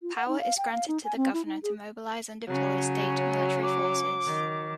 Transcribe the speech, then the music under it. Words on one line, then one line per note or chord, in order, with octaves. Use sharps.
Power is granted to the governor to mobilize and deploy state military forces.
F4
F#5
D#4
F5
G5
F5
D#4
G#5
C4
E4
D#4
G#4
C#3 F#3 C#4
D6
D#3